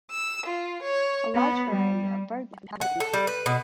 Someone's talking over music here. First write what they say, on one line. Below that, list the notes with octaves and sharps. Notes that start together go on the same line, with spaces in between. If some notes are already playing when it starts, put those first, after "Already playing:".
A large variety of birdlife inhabits the reedbeds.
E6
F4
C#5
B3
G3
F#5
A4
G3
B4
B2